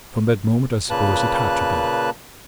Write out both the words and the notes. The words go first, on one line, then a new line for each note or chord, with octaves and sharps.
From that moment, I suppose, it had to be.
A#2 C#3 A#3 B4 A5 F#6